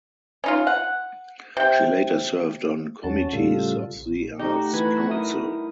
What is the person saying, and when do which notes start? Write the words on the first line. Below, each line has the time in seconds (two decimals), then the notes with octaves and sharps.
She later served on committees of the Arts council.
0.44 C#4 D#4 F4
0.67 F#5
1.57 C3 G5
3.04 E2 C#4 F#4 A5
3.33 A2 C#3 G3 F4 A4
3.93 A#1
4.39 A3 D#4 F#4 G4
4.74 E3 B4 G#6
5.09 E4 A#4 D#6